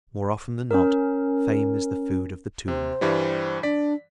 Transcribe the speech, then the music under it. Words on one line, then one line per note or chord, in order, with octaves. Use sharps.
More often than not, "Fame is the food of the tomb."
C#4 A#4
C3 C5
G2 E3 G3
D4 D5 B6